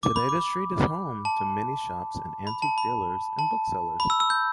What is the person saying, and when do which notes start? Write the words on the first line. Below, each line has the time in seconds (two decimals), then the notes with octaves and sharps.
Today the street is home to many shops and antique dealers and booksellers.
0.03 D6
0.16 B5
0.29 D6
1.25 A5
2.47 B5
2.62 A5
2.78 B5
3.39 A5
4.00 B5
4.10 E6
4.20 E6
4.30 G6